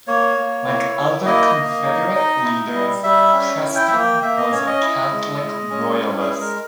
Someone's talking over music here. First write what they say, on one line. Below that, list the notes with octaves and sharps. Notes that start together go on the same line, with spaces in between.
Like other Confederate leaders, Preston was a Catholic Royalist.
A#3 C#5
A#3
E4
E4
A#3 D#5
A#3
D#4
D#4
E4
G3
G3 E5
C#4
E4
G5
A#3 E5
G5
A#3 E5
D#5
C#4 C#5
D#5
E4
G#3
G#3
C#4
E4
G#4
G#3
A#4